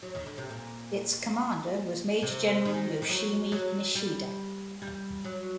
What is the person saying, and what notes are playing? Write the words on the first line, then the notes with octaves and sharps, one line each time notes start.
Its commander was Major General Yoshimi Nishida.
F#3
D#3
D3
C3
A#2
C3
D#3
D#3
F#3
F#3
G3
G3
F#3